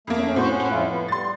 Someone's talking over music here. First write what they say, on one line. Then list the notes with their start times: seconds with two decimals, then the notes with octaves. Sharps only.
The morning came.
0.07 F2 A3 A#3
0.36 A2 F#4 C5
0.51 C#4 F#5
0.70 F2 E4 F4
0.90 B3
1.09 G3 C6 A6